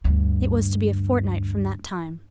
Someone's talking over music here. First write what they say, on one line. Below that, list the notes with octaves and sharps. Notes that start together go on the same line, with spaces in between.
It was to be a fortnight from that time.
D2 G2